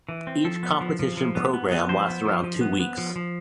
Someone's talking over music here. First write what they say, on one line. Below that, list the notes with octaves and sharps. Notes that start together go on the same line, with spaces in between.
Each competition programme lasts around two weeks.
E3
C4
F3 A4
B3
F3
F3
F3
B3
B3
B3
F3 C5
B3
F3
F3
B3
B3
F3
F3